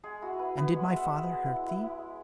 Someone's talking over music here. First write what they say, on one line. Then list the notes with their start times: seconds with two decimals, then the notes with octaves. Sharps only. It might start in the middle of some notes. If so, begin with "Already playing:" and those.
"And did my father hurt thee?"
0.03 G#3 G#4
0.22 E4 F#4
0.39 E4 B4
0.57 B3 B4
0.70 G#3 C#5
0.83 E5
0.93 G#3 F#5
1.11 G#3
1.28 G#3
1.45 E4
1.63 E4
1.81 E4
1.98 G#3